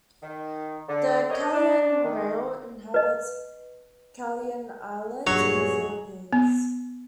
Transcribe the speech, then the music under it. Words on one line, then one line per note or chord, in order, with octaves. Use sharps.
The Calayan rail, inhabits Calayan Island in the Philippines.
D#3
D3
G3 C4 A#4 C#5 D#5
D4
D#3
B4 D#5
A#1 G2 F#3 G#4 C#5
B3